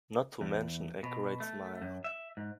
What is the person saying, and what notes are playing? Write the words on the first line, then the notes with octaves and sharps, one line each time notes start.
Not to mention a great smile.
E2
B2
A3
F#2
E5
G#2